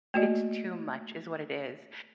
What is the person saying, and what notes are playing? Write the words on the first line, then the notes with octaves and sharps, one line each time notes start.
it's too much is what it is.
A3 A#3 F#4 D5 D#5